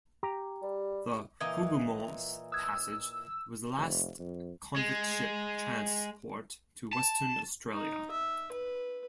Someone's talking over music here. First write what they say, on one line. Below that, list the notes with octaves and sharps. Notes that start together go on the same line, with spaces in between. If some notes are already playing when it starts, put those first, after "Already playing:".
The "Hougoumont"'s passage was the last convict ship transport to Western Australia.
G4 A#5
G3
A#2 E3 D#4 D#6 G#6
D#6 E6 F#6 G#6
F1
F2
G#3
A5
D#4
E5
B4